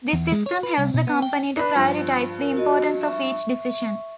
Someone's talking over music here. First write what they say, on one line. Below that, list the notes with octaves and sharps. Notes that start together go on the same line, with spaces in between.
This system helps the company to prioritise the importance of each decision.
E2
G#3
C#5
B4
C2
B2
B3
G5
D4 B4
G2 F3
A#4
F#4 D#5
E5 C#6